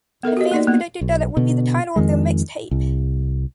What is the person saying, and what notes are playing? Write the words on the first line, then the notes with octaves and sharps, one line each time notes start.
The fans predicted that it would be the title of their “mixtape”.
B3 A4 A#4 E5
F#4 G4 D#5
A#3 D#4 D5
A#3 B3
B1
B2 D3
F2 D#3 G#3
C2